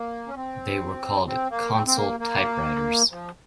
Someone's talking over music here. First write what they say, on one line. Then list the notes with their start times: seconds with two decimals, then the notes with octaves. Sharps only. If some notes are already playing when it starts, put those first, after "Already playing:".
They were called "console typewriters".
Already playing: A#3
0.28 C#4
0.36 C4
1.27 C4
1.51 A#3
1.73 C4
1.87 C4
1.96 A#3
2.20 A#3
3.11 F3